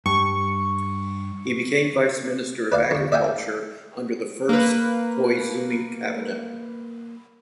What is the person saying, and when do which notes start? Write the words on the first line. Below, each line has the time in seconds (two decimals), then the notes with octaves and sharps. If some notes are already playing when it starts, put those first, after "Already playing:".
He became Vice Minister of Agriculture under the first Koizumi cabinet.
0.06 G2 C#6
2.72 B4 D5 F5
2.91 D3 C#6
3.12 D5 E5 F5 G5 G#5
4.49 A#3 B4